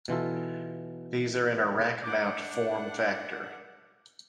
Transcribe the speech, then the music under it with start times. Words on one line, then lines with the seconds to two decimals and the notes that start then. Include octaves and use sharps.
These are in a rack mount form factor.
0.08 B2 E3 F4 A4
2.04 D4 F#5 D6 G6 D7